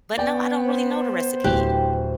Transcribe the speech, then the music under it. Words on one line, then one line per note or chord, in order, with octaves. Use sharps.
but no, I don't really know the recipe.
B3 D5 G5
C5
D1 E3 G4 F#6